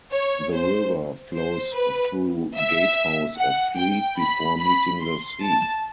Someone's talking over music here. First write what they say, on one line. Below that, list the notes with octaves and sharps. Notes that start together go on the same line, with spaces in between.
The river flows through Gatehouse of Fleet before meeting the sea.
C#5
C5
C5
B4
E5
F#5
G5
B5
B5
C6
A5